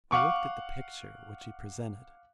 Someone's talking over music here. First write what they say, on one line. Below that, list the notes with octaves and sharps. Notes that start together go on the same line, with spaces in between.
We looked at the picture which he presented.
F5 F#5 C#6 D6